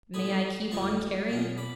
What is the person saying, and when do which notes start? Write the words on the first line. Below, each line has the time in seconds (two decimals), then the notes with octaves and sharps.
May I keep on caring?'
0.14 A2 G#3 B3 G#5 B5
0.71 F2 D3 G#3 B3 F4 A5 C#6
1.29 B2 F#3 C#4 F4
1.58 B5 D6